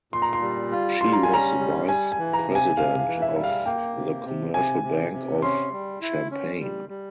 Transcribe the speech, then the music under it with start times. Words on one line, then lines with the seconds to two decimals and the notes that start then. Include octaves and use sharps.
She was vice president of the Commercial Bank of Champaign.
0.12 A#2 C6
0.22 A#5
0.33 C6
0.42 G3
0.71 F4
1.01 G3 C6
1.13 A#5
1.23 G#5
1.30 C#4 A#5
1.59 G3
1.89 G3 G#5
2.12 G#5
2.19 E3
2.33 A#5
2.48 C3
2.55 G#5
2.77 C3 F5
2.99 F5
3.07 E3
3.22 E5
3.36 G3
3.44 F5
3.65 A#3 G5
3.95 C3
4.25 C3
4.54 C3 G#5
4.83 C3
5.13 C3
5.42 C#4 C6
5.72 G3
6.01 E4
6.31 C#4
6.60 G3
6.89 G3